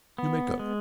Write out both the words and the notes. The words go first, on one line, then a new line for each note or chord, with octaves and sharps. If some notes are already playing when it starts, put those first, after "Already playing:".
"You may go."
B3
G#3